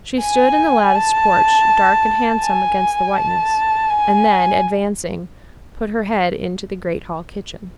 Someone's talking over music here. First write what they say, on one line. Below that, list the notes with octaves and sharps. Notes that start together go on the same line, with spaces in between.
She stood in the latticed porch, dark and handsome against the whiteness, and then, advancing, put her head into the great hall-kitchen.
G#5
A5
G#5
A5
G#5